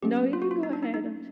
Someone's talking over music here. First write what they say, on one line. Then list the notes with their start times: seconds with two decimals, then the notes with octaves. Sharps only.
No, you can go ahead. I'm just
0.03 F#3 A#3 C#4 G4
0.33 F4
0.42 F#4
0.51 F4
0.63 D#4
0.73 D4
0.83 D#4
0.94 D#4